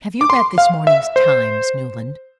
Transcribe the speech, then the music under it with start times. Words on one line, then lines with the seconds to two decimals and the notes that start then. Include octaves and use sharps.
"Have you read this morning's Times, Newland?"
0.21 D6
0.30 C6
0.58 F5
0.87 E5
1.16 C5